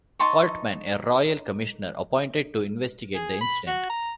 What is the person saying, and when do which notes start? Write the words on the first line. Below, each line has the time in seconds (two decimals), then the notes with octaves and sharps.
Coltman, a Royal Commissioner appointed to investigate the incident.
0.19 D#4 A5 C6 C#6
3.15 G#4
3.41 B5
3.67 F#4
3.89 A#5